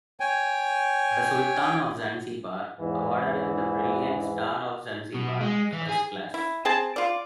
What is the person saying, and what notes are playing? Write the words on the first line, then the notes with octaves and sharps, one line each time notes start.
The Sultan of Zanzibar awarded him the Brilliant Star of Zanzibar, First Class.
C#5 G5 G#5
E2 G#2 E3
B2
G#3
E3
G#4
E4
C4 G#4 A5
F4 D5